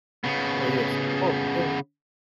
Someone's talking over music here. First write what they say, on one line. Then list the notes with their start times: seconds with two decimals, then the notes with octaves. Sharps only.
Oh, yes. Oh, and,
0.24 C#3 B3